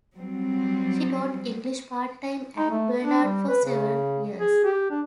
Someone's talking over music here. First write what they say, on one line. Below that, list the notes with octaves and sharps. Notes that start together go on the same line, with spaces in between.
She taught English part-time at Barnard for several years.
F#3 G3 C4
D#4
A3
D4
G3
B4
C#3
G#4
G4
D4